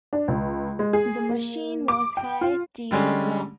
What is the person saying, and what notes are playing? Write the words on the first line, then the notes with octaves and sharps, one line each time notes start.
The machine was high, deep and long.
D4
C#2
G#3
G#4
A#3
D6
G5
F4
D3 G3 G#3 C#4